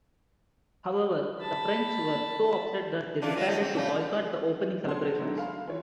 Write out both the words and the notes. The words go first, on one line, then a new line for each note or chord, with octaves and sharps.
However, the French were so upset that they decided to boycott the opening celebrations.
A5 B5
E3 D4 F4
F#3 G#3 F4
A3 D#4
F2 C4
C#3 G3 A3
B2 C4 F#5 A5 C6 G#6
D3 D#3 F#3 G#3 A3 D4
F5 B5 C6
E3 F4 C#5